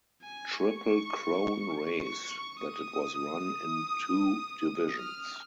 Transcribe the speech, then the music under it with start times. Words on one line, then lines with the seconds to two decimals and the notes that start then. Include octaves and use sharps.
Triple Crown race that it was run in two divisions.
0.22 G#5
0.52 C#6
2.01 C#6
2.30 C#6
2.60 D#6
4.98 F6